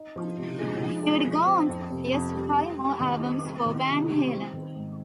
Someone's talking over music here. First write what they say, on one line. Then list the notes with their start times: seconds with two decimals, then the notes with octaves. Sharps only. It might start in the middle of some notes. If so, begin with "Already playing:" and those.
He would go on to produce five more albums for Van Halen.
Already playing: D#4
0.16 F3
0.37 C3
0.59 G#3
0.82 F3
1.03 G#3
1.25 F3
1.46 C4
1.69 F2
1.90 C3
2.12 F2
2.34 G3
2.56 G4
2.78 G3
3.00 D#3
3.21 C4
3.43 C4
3.66 D#3
3.87 C3
4.09 G3
4.31 C4
4.53 D#3
4.76 G#2